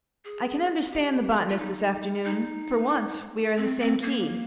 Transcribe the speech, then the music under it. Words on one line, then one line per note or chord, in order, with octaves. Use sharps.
I can understand the botanist this afternoon; for once we are in the same key.
G#4
G4
F4
D#4
D#4
C4
C4
A#3